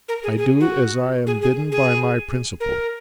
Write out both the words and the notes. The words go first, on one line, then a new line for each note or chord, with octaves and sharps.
'I do as I am bidden by my principal.
A#4
G#4
G#4
F#4
G#4
G#4
G#4
A#4